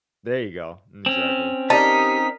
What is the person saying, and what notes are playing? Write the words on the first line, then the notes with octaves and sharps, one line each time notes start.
There you go. Mm, exactly.
C4 C#4
D#4 G4 A#4 A5 B6